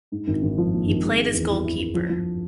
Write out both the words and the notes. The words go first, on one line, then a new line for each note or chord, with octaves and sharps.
He played as goalkeeper.
G#2
G#1
G#1
F3
A#3
G#1
G#3
G#3
E2
E4
E4
E4
F3
F3